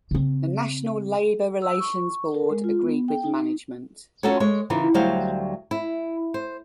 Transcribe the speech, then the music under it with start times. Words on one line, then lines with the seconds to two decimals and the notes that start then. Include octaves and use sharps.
The National Labor Relations Board agreed with management.
0.11 C#3 C4
1.62 E6
1.80 C#6
2.34 A#4
2.50 G#3
2.64 F4
2.82 B3
3.08 G5
3.23 D#4
4.23 C#4 F4 F#4 A4 A#4 C#5
4.40 G#3 C#5
4.70 C#3 E3 D#4 F4 A#4
4.94 D2 F#3 G3 F#4 C5 F5
5.71 E4
6.34 C5